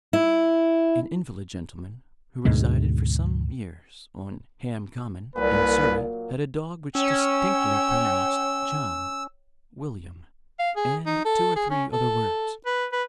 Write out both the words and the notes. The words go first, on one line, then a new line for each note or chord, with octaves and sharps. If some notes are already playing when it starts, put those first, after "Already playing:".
An invalid gentleman, who resided for some years on Ham Common, in Surrey, had a dog which distinctly pronounced John, William, and two or three other words.
E4
D2 G#2 B2 G#3
C2 A#2 F#3 B4 B5
C#4 C#5 G5 E6
F5
G#4
D#4
A4
G#4
C#4
A4
B4
B4